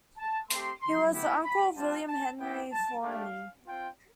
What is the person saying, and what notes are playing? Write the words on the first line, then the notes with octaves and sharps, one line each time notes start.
He was the uncle of William Henry Forney.
A5
A3 C4 G4 C6
C6
B3 E4 G4 B5
B5
G3 C4 F4 A5
A5
B3 E4 G4 G5
A5
A3 D4 G4 F5
C4 F4 G5